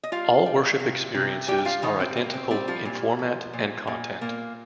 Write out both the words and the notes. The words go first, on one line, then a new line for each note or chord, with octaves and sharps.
All Worship Experiences are identical in format and content.
D#5
G3 F4 F5
G3
C3
C3
G3 G4 G5
G5
F4 F5
D#3 G3 D#4
C4
C3 A#3
C4
G3 C4
F3 F4
A#2
F3
A#2
A#2
A#2 A#3